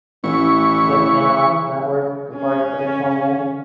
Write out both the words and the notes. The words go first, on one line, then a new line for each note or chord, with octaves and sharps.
The canal network required additional land.
A1 E3 C#6
C#4